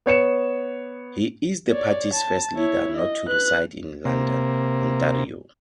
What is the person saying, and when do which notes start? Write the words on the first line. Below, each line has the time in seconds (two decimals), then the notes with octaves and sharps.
He is the party's first leader not to reside in London, Ontario.
0.06 B3 C#5 C#7 E7
1.69 C#5 D5
2.14 A5
2.56 E4 C#5
2.97 D#5
3.28 B4 F#6
4.05 C3 A#3